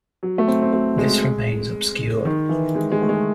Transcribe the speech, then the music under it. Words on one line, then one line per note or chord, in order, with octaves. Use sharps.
This remains obscure...
F#3
A3
C4
C4
A3
G#3
D#3
E3
G#3
G#3
A3
G#3